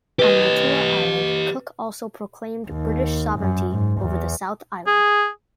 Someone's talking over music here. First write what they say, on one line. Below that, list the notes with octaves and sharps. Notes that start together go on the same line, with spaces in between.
On Motuara Island, Cook also proclaimed British sovereignty over the South Island.
G4 B4 D#5
D#2
F#2
G#2
E2
G#4